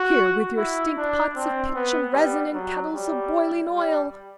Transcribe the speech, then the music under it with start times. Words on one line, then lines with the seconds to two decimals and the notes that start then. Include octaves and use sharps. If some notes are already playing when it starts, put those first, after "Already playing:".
Here with your stink-pots of pitch and resin, and kettles of boiling oil!
Already playing: F#4
0.57 E4
0.98 D4
1.36 C4
1.75 B3
2.14 G3
2.54 F#3
2.94 G3
3.72 G3